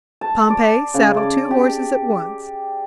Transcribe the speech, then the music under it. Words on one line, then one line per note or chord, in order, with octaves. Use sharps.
Pompey, saddle two horses at once.
A5
D5
C#3
D5
G4